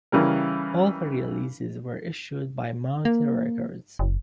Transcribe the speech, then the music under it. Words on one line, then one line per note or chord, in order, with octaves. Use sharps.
All three releases were issued by Mountain Records.
C#3 E3 G3 A#4
A#3
F#1